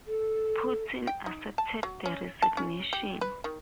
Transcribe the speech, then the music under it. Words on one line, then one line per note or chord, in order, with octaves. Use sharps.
Putin accepted the resignation.
A4
G5
D#4
A5
F#3
C#4
A5
C#4
G4
B4
D#3